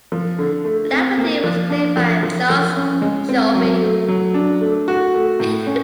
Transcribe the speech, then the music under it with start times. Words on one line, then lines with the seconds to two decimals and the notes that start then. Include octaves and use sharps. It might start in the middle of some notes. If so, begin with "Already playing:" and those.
Laverty was played by Charles Cioffi.
0.12 F3
0.39 D3
0.65 A3
0.91 C4
1.18 A#3
1.44 F3
1.70 D4
1.97 F3
2.23 F3
2.50 F3
2.76 C#4
3.02 G#3
3.29 C4
3.55 F#3
3.82 A3
4.08 F#3
4.34 D4
4.61 A3
4.88 F#4
5.14 A3
5.40 A2
5.67 C#4